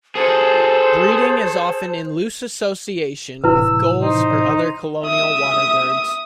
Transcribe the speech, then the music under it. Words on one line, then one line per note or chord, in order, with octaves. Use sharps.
Breeding is often in loose association with gulls or other colonial water birds.
G#4 A4 C5
A2 C3 E3 E4 B4 E6
D#4 C5
E5 D#6